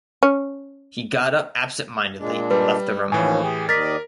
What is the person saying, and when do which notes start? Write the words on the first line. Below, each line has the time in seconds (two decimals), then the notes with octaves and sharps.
He got up absent-mindedly and left the room.
0.23 C#4
2.18 A#2 G#3 D4
2.51 G3 B4
3.12 D#2 A2 E3 F3 C#4 G#5
3.43 G4 G#4
3.69 D#2 A#4 D5 D#5 A6 B6